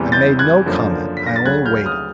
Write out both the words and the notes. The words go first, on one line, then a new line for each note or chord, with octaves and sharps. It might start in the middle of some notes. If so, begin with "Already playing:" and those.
I made no comment; I only waited.
Already playing: E2 C3 E3 G3
G6 A6
F#6 G#6
F#1 F#2 D3 F3
B6
A#6
A6
D2 C#3 F#3 F#6 G#6
F6 G6
D#6 F6